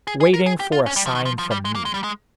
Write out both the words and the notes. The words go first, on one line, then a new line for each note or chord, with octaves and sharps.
Waiting for a sign from me.
G#4
G#4
A#4
G#4
G4
F4
C#4
G3
F3
D#3
F3
F3
G3
G#3
A#3
G#3
G3
G#3